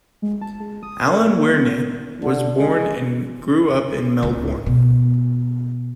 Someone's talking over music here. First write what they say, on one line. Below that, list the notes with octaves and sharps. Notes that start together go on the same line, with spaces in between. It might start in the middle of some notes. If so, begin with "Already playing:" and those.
Alan Wearne was born and grew up in Melbourne.
G#3
A5
G#3
D#6
A#4
A#3
B3
D3
G#3
C#2
B2